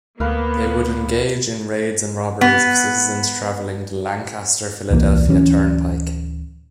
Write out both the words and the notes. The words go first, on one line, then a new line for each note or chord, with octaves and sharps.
They would engage in raids and robberies of citizens traveling the Lancaster Philadelphia Turnpike.
D2 A#3 B3 B4 F5
B3
D#1 C2 E3 A#3
D1 E3 C#4